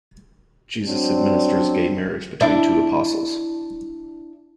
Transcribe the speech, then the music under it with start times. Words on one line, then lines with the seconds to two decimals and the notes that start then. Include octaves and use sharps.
Jesus administers gay marriage between two apostles.
0.85 F#3 C4 D4
2.41 D4 E4